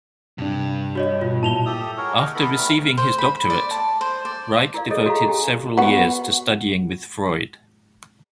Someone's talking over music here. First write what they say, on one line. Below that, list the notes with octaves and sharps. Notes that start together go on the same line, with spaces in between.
After receiving his doctorate, Reik devoted several years to studying with Freud.
G2 C3 D4
F#4 C#5 D#5
B2 F4
A#2 E4 A5 F7 G7
G4 A4 E5 D#6
F#4 G#4 A#4 C#5
D#4 A#4 A#5
B3 E4 A4 B5
G3 A3 A#4
C5
B5
D5
A5
C5
D5
E4 A#4 D5 F5
G#4 A4 C#5 D#5 D#6
F#4 A4 F5 A#5 C#6
C#4 G4 G#5
B3 F#4